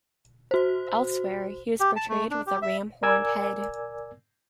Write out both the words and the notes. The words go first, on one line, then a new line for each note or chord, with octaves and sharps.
Elsewhere he was portrayed with a ram-horned head.
F#4 C5
G4
A5
A3
D4
G4
E5
A#4 D5 G#5 D6 E6 G#6